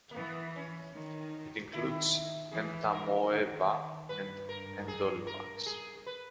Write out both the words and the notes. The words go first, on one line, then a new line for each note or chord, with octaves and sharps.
It includes "Entamoeba" and "Endolimax".
A#3
E3 B3
C#4
D#3
D#3 E4
E3 G#4
A#4
D#3
G2 B4
A#4
G#4
A#4
G#4
B4